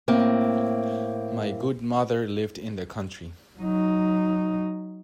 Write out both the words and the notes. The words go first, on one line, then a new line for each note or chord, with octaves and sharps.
My good mother lived in the country.
A2 A#3 C4
F#3 D#4